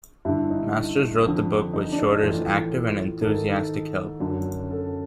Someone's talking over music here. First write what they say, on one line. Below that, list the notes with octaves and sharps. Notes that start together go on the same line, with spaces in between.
Masters wrote the book with Shorter's active and enthusiastic help.
G2 D3 E4
D#4
F2 D3
D#4
D4
D#4
A2 E3 F4
G#2 D#3 A4
F#2 D3
A4